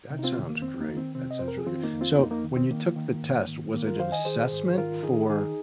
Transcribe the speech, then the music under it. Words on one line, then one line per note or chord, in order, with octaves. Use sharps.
That sounds great, that sounds really good. So, when you took the test, was it an assessment for
C3
D#4
C4 F4
D#3
A#3
F2 C4
A#3 D#4
D#3
C4
C3 C4
D#5
F2 C5
A#4
G#4
D#3 C4 F4
A#3 D#4
F2
C4 F4
F2 A#3 D#4
A#3 D#4
D#3
C4
D#3 A#3
D#3
G#2
D#3
D#3 A#3
F4 A#4
D#3 C5 F5
D#5 G#5
D#3 G#4 C5
G#2
C5
D#3 F4 A#4
D#3 D#4 G#4
D#3 D#4 G#4